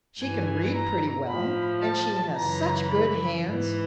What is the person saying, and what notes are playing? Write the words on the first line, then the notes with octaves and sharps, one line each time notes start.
She can read pretty well, and she has such good hands.
G2 E3 G#5
A#5
A2 F3 B5
A5
F#2 C#3 E3 A#5
B5
G#2 E3